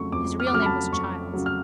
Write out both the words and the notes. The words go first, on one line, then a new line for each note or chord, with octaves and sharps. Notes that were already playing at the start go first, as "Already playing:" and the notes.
His real name was Childs.
Already playing: F2 C#3 F#3 A3 C#6
F2 D6
F6
D6
C#3 F#3 A3 F6
B5
A5
F2 C#6
C#3 F#3 A3
F6